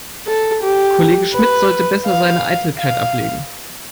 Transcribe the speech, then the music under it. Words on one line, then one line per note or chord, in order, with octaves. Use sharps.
Kollege Schmidt sollte besser seine Eitelkeit ablegen.
A4
G4
B4
F5
F5